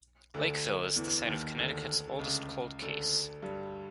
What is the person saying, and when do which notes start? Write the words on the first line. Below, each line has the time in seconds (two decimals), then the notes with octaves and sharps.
Lakeville is the site of Connecticut's oldest cold case.
0.34 D2 D3
0.96 E2 E3
1.26 D#2 D#3
1.57 D2 D3
2.08 D3
2.19 C#2 C#3
2.82 D2 D3
3.42 G2 G3